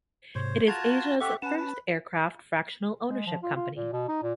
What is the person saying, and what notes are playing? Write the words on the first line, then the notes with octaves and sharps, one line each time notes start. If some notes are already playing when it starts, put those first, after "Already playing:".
It is Asia's first aircraft fractional ownership company.
G#2 C3 C5 C#5
F4 F#4 A5 A#5 G#6
G4 A4 E5 F#5 C#6
C#4 B4 F#5 A5
B4
G#3
F3
F4
F4
A#2
B2
D#4
A#2